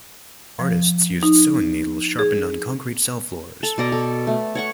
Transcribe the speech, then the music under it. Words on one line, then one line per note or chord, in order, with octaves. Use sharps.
Artists used sewing needles sharpened on concrete cell floors.
F3
D#4
G#4
A4
B2 D5 A#5
A4
A3
C#5 F#5 C#6